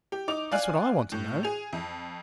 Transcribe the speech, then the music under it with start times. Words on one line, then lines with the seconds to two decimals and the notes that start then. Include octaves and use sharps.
That's what I want to know.
0.12 G4
0.28 D#4 D6 F7
0.52 D5 F5 G#5 F#6 F#7
1.12 A2
1.43 G#4 F7
1.73 F2